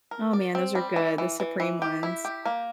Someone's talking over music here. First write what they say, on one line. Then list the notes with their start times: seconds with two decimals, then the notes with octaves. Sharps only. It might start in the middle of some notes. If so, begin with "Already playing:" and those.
Oh, man, those are good, the supreme ones.
0.11 A#4
0.33 D5
0.55 C4
0.75 G3
0.96 E3
1.18 E3
1.40 E3
1.60 E3
1.82 G4
2.03 E4
2.25 G4
2.45 A#3